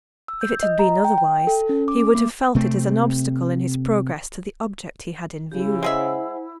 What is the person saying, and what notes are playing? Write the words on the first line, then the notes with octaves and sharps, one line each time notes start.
If it had been otherwise, he would have felt it as an obstacle in his progress to the object he had in view.
E6
G6
D#5
A#5
G5
G5
A4
C#4
D6
D6
A#3
C3 A3 C4
C#3 E4 G4
G#3 G#4 C5 E5 F#5 G#5